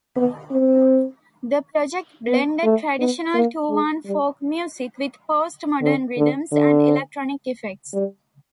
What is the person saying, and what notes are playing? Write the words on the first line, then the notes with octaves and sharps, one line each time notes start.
The project blended traditional Tuvan folk music with post-modern rhythms and electronic effects.
B3
C4
B3
A3
B3
A#3
G#3
G3
D3
D3
D3
G3